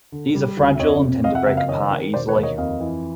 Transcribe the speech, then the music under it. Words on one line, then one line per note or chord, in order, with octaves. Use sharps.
These are fragile and tend to break apart easily.
D3
G3
D2
E5
F2 C#5 D#5
C3
F2 D#5 F5
E5 F#5
F#1 E5 F#5
D#5 F5
D#3 C#5 D#5
D#3
E1 C5 D5
B4 C#5
D#2
C#5 D#5
F2 D#5 F5
E3